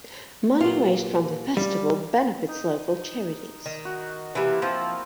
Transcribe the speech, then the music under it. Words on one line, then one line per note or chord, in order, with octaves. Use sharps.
Money raised from the festival benefits local charities.
G2 A#2 F#3 F4
G3 F5
D#4
D#3
F#4
C3 E3 A#3 E4 A#5
F3 C4